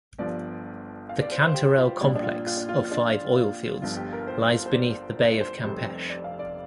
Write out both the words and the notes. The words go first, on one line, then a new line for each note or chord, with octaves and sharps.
The Cantarell Complex of five oil fields lies beneath the Bay of Campeche.
G1 G2 F3 D5
F5
D5
C5
C5
G4
F4
A#1 A#2 G3 D4
D4
F4
F4
D4
F4
D4
G1 G2 F3 F4
G4
A#4
C5
C5
D5
D5
C5
F1 F2 C3 G3
D5
F5
D5